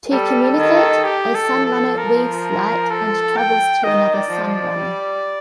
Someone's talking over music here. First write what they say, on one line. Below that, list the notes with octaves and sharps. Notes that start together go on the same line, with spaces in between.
To communicate, a Sunrunner weaves light and travels to another Sunrunner.
G3 A4
A4
D#3
A4
G4
A4
F3
A4
A#4
A4
G5
D#3 D#5
D5
F3
D5
G3